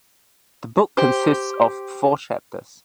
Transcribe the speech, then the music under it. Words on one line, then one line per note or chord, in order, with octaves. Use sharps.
The book consists of four chapters.
G4 C5